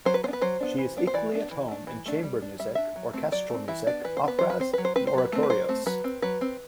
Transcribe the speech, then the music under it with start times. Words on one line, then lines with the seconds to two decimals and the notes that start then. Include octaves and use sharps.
She is equally at home in chamber music, orchestral music, operas, and oratorios.
0.05 F#3 C5
0.14 B4
0.23 B3 C5
0.28 D4
0.33 B4
0.41 F#3 C5
0.60 B3 D4
0.78 E3
0.97 B3 D4
1.07 C5
1.14 E3 D5
1.32 B3 D4
1.51 E3
1.68 A3 D4
1.87 E3
2.06 A3 D4
2.23 G3
2.42 D4
2.59 G3 E5
2.75 D4 E5
2.96 F#3
3.13 A3 C4
3.32 F#3 D5
3.50 A3 C4
3.68 E3 E5
3.86 B3 D4 D5
4.04 E3 B4
4.17 C5
4.24 D4
4.27 B3 B4
4.39 F#3 C5
4.50 B4
4.60 C4 C5
4.73 F#3 B4
4.85 C5
4.96 C4 B4
5.07 C5
5.13 F#3 B4
5.32 A3 C4
5.43 B4
5.50 F#3 C5
5.69 A3 C4
5.86 F#3 B4
6.04 C4
6.22 F#3 B4
6.41 C4